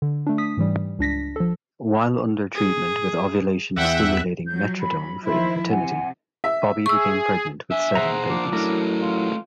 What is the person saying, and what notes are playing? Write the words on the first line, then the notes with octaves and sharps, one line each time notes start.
While under treatment with ovulation-stimulating Metrodin for infertility, Bobbi became pregnant with seven babies.
D3
A3 D4
D#6 B6
G#2 E3 G3
C#2 D4 A#6 B6
F3 A4
G#4
E2 E5 F#5 G5 F#6
F3 F#3 G6
B5
D#3 F3 E4 C5 E5 B5
C3 F#5 G#5
E5
G#4 C#6 E6
D4 E5 G#5
B2 G#4 C5 F#5 A#5
F3 A#3 D4
F#3 A3 C#4 E4 A#4
F4